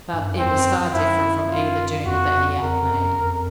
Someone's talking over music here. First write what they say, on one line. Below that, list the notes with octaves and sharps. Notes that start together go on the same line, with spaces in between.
But it was far different from either journey that he had made.
G#2
G2
F#2
F2 C4
F#2
F#2 E4
F4
F2 F#4
F2 A#4
F#2
F2